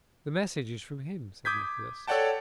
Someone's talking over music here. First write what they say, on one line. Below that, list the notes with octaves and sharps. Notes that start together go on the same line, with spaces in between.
'The message is from him,' said Nicholas.
D6 D#6 G6 G#6 B6
A4 C#5 D5 F#5 G5 A5